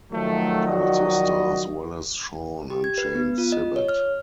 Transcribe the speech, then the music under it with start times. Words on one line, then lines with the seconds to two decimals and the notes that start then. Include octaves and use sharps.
It also stars Wallace Shawn and Jane Sibbett.
0.12 D#3 F3 F#3 A3
0.68 F#4 D5 D#5
2.70 G4
2.84 G#6
2.98 B4
3.15 B3
3.38 F4
3.52 D#5
3.76 C#5
3.88 F6